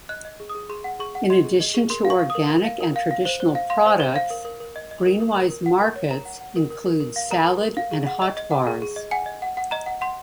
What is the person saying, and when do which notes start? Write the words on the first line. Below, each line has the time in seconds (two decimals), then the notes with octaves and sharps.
In addition to organic and traditional products, GreenWise Markets include salad and hot bars.
0.09 D#5 F#6
0.25 D#5
0.40 G#4
0.50 D#6
0.55 G#4
0.69 G#4 C6
0.84 F#5
0.99 G#4 C#6
1.15 F#5
1.30 D#5 C6
1.44 G#4
1.60 D#5
1.74 G#4
1.90 A#4 C6
2.05 F5
2.10 C#6
2.19 F5
2.30 D#6
2.35 A#4
2.50 A#4
2.65 F5
2.81 A#4
2.96 F5
3.11 F5
3.25 C5
3.40 C5
3.55 F5
3.70 F5 C6
3.86 C5
4.00 C5
4.16 F5
4.30 A#4
4.45 A#4
4.60 A#4
4.76 D#5
4.91 D#5
5.06 A#4
5.20 A#4
5.36 A#4
5.51 A#4
5.66 F#5
5.81 A#4
5.96 C#5
6.11 A#4 A#5
6.25 F#5
6.41 F#5
6.56 A#4
6.70 A#4
6.86 A#4
7.00 A#4
7.16 F5
7.31 A#4 A#5
7.47 A#4
7.61 A#4
7.77 F5
7.91 G#4
8.06 F#5
8.22 D#5
8.37 D#5
8.51 F#5
8.67 G#4
8.82 G#4
8.96 D#5
9.11 F#5 G#5
9.26 D#5
9.42 F#5
9.57 F#5
9.71 D#5 A#5
9.86 F#5
10.01 F#5 C6